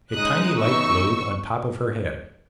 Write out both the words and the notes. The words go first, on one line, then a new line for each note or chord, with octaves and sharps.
A tiny light glowed on top of her head.
C#3 G#3 D#4 D#6 F#6
C#3 E3 B3 D#4 C#6 E6